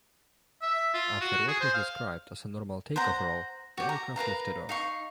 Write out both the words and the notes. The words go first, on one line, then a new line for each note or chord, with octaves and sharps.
After what was described as a normal takeoff roll, the aircraft lifted off.
E5
F4
F#4
G#4
C5
F5
C5 F#5 A#5
F#4 G4
A#5
A#4 B4 F5 A#5
D#4 F5 C#6